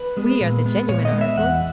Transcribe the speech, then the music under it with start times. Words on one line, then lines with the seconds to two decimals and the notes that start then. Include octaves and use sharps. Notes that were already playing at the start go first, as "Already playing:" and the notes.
"We are the genuine article."
Already playing: B4
0.17 G#3 B3
0.40 A#2
0.65 G#3 B3
0.89 A#2 C#5
1.05 D#5
1.13 G#3 B3
1.21 E5
1.37 E2 F#5